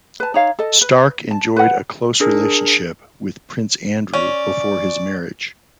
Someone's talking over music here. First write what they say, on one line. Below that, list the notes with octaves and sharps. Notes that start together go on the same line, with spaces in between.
Stark enjoyed a close relationship with Prince Andrew before his marriage.
B4 A5
D#4 C#5 F5
A4 D#5
B4
A5
B4 F#5
D4 G#4 A#4
C#4 D5